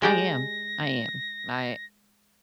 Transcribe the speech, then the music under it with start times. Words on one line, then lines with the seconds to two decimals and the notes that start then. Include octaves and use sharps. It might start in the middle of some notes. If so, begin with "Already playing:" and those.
I am. I am. I uh,
0.02 G#3 G4 D5 A#6